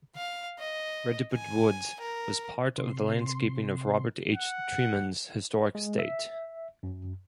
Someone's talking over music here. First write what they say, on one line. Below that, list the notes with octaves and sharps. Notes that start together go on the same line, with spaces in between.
Redbud Woods was part of the landscaping of Robert H. Treman's historic estate.
F5
D#5
G#5
A#4
C3 C6
F#5
G#3
E5
F#2